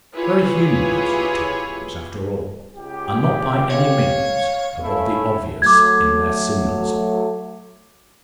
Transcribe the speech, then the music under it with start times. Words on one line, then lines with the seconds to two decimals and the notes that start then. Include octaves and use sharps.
Very human these Utopians, after all, and not by any means above the obvious in their symbolism!
0.14 E4 F4 G4 G#4 B4 C#5
2.75 C#2 G4
3.70 C#5 F5
4.82 A3 C#4 E4
5.62 F#3 A3 D6 G#6